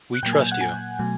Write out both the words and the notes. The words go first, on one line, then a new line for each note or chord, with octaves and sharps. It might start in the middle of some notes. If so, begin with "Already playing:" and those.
We trust you.
F#6
A#2 F#3 A#3 G5 G6
G#5 G#6
F#5 F#6
G#5 G#6
B2 F#3 A3